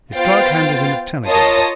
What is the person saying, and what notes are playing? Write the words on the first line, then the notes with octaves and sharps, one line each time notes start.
His clerk handed him a telegram.
B3 F4 C5 F5 G5 A6
F4 A#4 C#5 D#5 A5 D#6